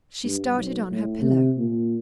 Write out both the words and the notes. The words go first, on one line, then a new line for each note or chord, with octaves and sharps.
She started on her pillow.
G2
B1
A2
C3
A#2